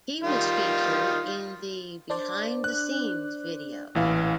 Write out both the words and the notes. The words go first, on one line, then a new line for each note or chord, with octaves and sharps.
He was featured in the 'Behind the Scenes' video.
D#3 G3 F4
D4 C5 D5
F#6
A1 A#2 E3 F5